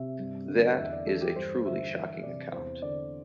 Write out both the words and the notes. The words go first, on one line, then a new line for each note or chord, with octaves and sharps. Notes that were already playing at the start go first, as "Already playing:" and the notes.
That is a truly shocking account.
Already playing: C3 E5
G2
D3
E2 E5
D5
E3 A4
G4
G2 C5
D3 E5
E3 E5
C3 D5
E2 C5
D3 D5